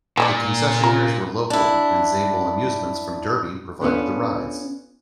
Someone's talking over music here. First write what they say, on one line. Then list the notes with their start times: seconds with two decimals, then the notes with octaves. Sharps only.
The concessionaires were local, and Zabel Amusements from Derby provided the rides.
0.17 A#2 E3 G4 D5
0.84 F4 A#4
1.50 D4 E4
3.81 B3 C#4 D4 F4 A4 B4